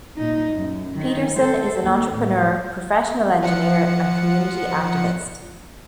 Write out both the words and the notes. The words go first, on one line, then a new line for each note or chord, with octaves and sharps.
Peterson is an entrepreneur, professional engineer and community activist.
A#2 D#4
F#2
D#3
A4 C5
D#2
A2
F3 F#5 C#7